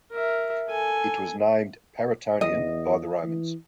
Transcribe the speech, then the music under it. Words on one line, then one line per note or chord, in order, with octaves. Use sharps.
It was named Paraetonium by the Romans.
A#4 E5
A4 G#5
E2 D#5
E3